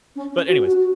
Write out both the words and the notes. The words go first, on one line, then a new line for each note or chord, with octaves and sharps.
but anyways,
C#4
C#4
F#4
F#4